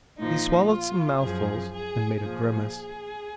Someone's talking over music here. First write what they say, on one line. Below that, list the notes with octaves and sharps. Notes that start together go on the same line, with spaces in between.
He swallowed some mouthfuls and made a grimace.
A#2 F3 D#4
F4
F#2 F3 G#4
G#4
A#2 F3 G#4